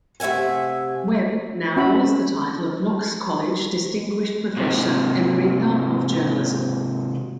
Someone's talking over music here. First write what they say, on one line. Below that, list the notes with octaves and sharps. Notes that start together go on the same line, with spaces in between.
Webb now holds the title of Knox College Distinguished Professor Emerita of Journalism.
C3 A3 E5 F#5 G#5
C#4 F#4 E5 B5
G#2 C3